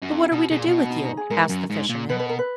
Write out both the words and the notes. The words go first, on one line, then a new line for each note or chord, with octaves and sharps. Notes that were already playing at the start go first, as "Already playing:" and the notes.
'But what are we to do with you?' asked the fisherman.
F#2
F2 D#4
F4
B2
F#4
B2 G#4
A#2
B2
F#4
D4
D#4
D#4
G#4
G#2 A#4
F#2
G#2
A#2
B2 B4
B4
A#4
B4